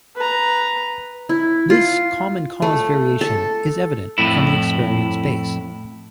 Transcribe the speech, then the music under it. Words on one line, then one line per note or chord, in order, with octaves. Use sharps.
This "common-cause variation" is evident from the experience base.
B4 A#5
E4
F4
A3
A4
F2 A2 E4